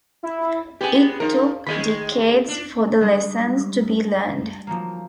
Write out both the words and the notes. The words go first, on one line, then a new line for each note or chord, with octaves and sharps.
It took decades for the lessons to be learned.
E4
G#3 B3 G4 G#4
F3 D#4 A#4
D#3 G#3 G#4 D#5 B5
D4
G3 G#3 D4 D#5
F3 F#3 A#3